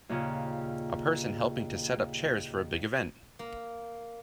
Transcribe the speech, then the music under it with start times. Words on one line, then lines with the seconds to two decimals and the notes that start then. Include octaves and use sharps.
A person helping to set up chairs for a big event.
0.09 D#2 A#2 C#3
3.39 A#3